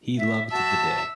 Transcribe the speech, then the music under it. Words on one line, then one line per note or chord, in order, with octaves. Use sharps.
He loved the day.
E5
F#4 E5 A5